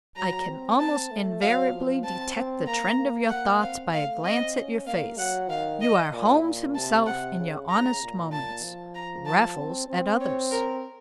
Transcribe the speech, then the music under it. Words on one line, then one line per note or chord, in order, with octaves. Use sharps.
I can almost invariably detect the trend of your thoughts by a glance at your face--you are Holmes himself in your honest moments, Raffles at others.
F#3 A#5
C4
C4 A5
A3
F#3 F5
F3
C4 A5
C4
A#3 A#5
A#3
F#5
C4 F5
A3 F5
C4 D#5
C#4
A#3 F5
F#3 F#5
D#3 F5
D#5
A#2
A#2
C3 A5
C3 F#5
C#3
C#3 A#5
A#2
A5
F3
A#5
A5
C4
C4
C#5
A#4